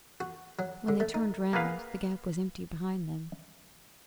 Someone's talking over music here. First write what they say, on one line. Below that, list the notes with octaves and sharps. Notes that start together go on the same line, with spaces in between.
When they turned round The Gap was empty behind them.
F#4
F#3
D3
A3
D#4
A#3 B3 G#4 B4 F5